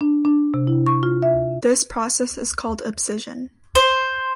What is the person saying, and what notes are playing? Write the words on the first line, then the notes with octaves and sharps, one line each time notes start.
This process is called abscission.
D4
D4
C3
E4
C#6
F4
E5
C5